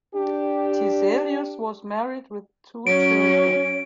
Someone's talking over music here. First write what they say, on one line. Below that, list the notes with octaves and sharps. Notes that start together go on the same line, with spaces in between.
Tiselius was married, with two children.
D4 G4
F#3 C#4 C#5 D7